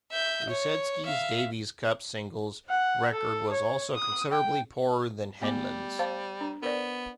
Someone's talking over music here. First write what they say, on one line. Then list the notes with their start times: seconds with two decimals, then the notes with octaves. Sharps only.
Rusedski's Davis Cup singles record was also considerably poorer than Henman's.
0.12 E5 G6
0.49 C#5
1.06 E5 F5
2.69 F#5
3.12 A4
3.52 C#5
3.94 D#6
4.32 G5
5.41 G3 A3 B3 D6
5.99 C5 F5 A5
6.41 D4
6.63 B3 A#4 C5 D5